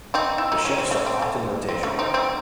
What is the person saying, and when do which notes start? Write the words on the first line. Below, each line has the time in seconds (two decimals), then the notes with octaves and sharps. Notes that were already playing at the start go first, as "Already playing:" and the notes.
The shifts are often rotational.
0.14 C4 D#4
0.38 E4
0.52 D#4
0.65 C#4
0.78 C4
0.91 A3
1.07 C4
1.22 A3
1.69 C4
1.83 A3 C#4
1.99 C4 D#4
2.14 C4